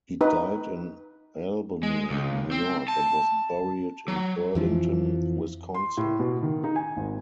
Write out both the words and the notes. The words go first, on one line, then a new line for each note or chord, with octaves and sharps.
He died in Albany, New York and was buried in Burlington, Wisconsin.
D#4 B4
G#3
C#2
C4
A5
F#3
F2 E3 F3
C6
A2
B2
D#3
D#4
G#5
G#1